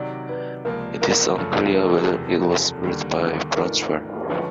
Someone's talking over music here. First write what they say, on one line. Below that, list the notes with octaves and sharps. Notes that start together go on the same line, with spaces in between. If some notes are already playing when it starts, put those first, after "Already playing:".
It is unclear whether it was ruled by Brochwel.
Already playing: C3 D#3 F#3 D5
B4
C#2 C3 F3 A#3 A#4
A#4
F#2 C#3 F3 A3 C#4
A#4
A4
G#4
A4
E2 C3 F3
D#2 D3 G3 A#3
G#2 E3 A3 D4 F4 A#4
D3 F3 G#3 C#4 B4